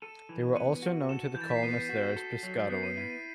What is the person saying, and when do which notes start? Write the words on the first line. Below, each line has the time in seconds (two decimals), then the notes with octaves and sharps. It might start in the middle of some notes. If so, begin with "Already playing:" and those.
They were also known to the colonists there as the Piscataway.
0.02 A4 D#7
0.29 E3
0.55 B3 D#7
0.82 F#4
1.09 A4 E7
1.35 E3 G6
1.42 A6
1.49 B6
1.56 C7
1.63 B3 D#7
1.89 F#4
2.16 A4
2.43 F#3
2.69 B3 C7
2.83 D#7
2.97 E4 D#7
3.10 D#7